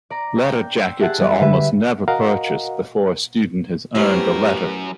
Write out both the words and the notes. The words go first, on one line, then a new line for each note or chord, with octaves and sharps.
Letter jackets are almost never purchased before a student has earned a letter.
D5 A#5
G5
C6 E6
G4 G#4 E5 F#5 A5
F#1 G3
D3 G#3 G4 B4 E5
F#4 A#4 D#5 F5 F#5 A#5
F#2 A3 B3 E4 G4 A#4 C5 C#5